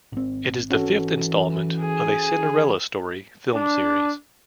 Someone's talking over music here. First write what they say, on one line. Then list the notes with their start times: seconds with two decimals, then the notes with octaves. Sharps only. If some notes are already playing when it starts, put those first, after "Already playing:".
It is the fifth installment of "A Cinderella Story" film series.
0.12 G#1 C4
0.70 E3 C#4 F#4 A4
1.80 G#4
3.55 D4